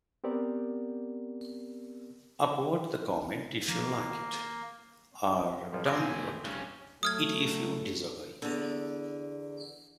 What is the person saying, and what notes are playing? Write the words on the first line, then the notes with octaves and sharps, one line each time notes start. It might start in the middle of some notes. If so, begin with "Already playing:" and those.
Upvote the comment if you like it, or downvote it if you disagree.
B3 C4 G4 A#4 D5
D#3 F3 A#3
A1 F2 F3
G#3 C4 A#4 D5
B2 G4 G#5
G1 D2 A3
F1 C2 G2 C#4
F#3 A3 D#6 F6 G#6
E2 D3